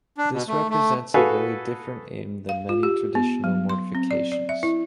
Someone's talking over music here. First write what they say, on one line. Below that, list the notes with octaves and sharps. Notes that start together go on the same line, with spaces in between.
This represents a very different aim than many traditional mortifications.
D4
B2
A3
A3
F#4 G#4 A4 B4 F5 G#5
F5
F4
G4
B3
F#3
C6
C4
D5
D5
E5
E4